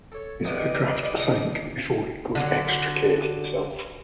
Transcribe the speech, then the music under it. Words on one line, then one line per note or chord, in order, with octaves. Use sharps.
His aircraft sank before he could extricate himself.
A4 C#5
C3 B3 D5 D#5
D3 F3 F#3